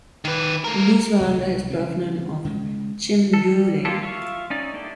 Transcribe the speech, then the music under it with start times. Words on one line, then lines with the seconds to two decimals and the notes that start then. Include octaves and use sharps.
These were under his birth name of Jim Dooley.
0.25 D#3 B4
0.64 A3 A#4
1.20 C2 B2 D3 D#3
1.70 C#3 E3 C4
2.45 C#3 G#3
3.34 A4
3.46 G3
3.85 D#3 A#3 F4 G4 A4
4.02 F4 E5 F5 C#6
4.50 C#4 D#4 D5
4.74 A#3 D4 E4 G4 A4